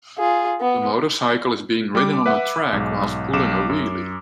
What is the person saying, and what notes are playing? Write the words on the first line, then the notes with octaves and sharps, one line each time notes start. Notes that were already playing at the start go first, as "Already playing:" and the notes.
The motorcycle is being ridden on a track whilst pulling a wheelie.
F4 G#4
B3
G3 D6
B4 E5 F#5
B1 G#2
B1 D6 E7
F#2